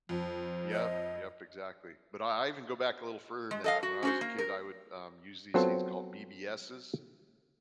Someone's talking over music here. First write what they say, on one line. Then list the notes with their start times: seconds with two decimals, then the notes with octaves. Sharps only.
Yep, yep, exactly, but I I even go back a little further than that, when I was a kid, I would, um, use these things called BBSs.
0.09 F2 F3
0.72 D#5
3.51 G#3
3.64 A4 D#5 F5
3.83 F#4
4.03 C#4 F#4 C5
4.21 A#3
4.38 A#4
5.54 F#3 B3 C4 F4 A4 C5